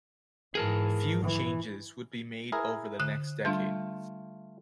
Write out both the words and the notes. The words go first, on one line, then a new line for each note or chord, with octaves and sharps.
Few changes would be made over the next decade.
G#2 E3 G#4 A#4 A5
E3
E4 G#4 A#4
D3 F#6
G3 A3 D4 F4